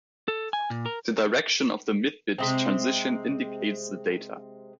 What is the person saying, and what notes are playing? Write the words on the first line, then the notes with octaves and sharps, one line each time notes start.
The direction of the mid-bit transition indicates the data.
A4
G#5
A#2
A#4
C3 G#3 C4